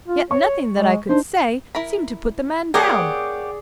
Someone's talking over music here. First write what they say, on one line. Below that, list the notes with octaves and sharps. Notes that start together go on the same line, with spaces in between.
Yet nothing that I could say seemed to put the man down.
F4
C#5 C#6
G#3
D4 D#4 C5
E4 A#4 B5
A#3 G4 G#4 A#4 C#5 D5 F#5